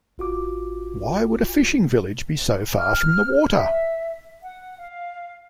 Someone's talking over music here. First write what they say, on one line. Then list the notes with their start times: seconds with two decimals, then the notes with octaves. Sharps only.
Why would a fishing village be so far from the water?
0.18 G#1 F4 F#4 D6
2.78 F6
3.55 E5
4.41 F#5
4.76 F5